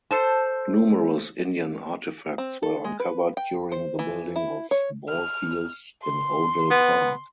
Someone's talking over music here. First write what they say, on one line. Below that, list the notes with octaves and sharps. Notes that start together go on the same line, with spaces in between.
Numerous Indian artifacts were uncovered during the building of ballfields in Odell Park.
A4 C5 A5
C4
A4
G#3
B4
G5
C5
E3
E4
C#5
F6
C6
B3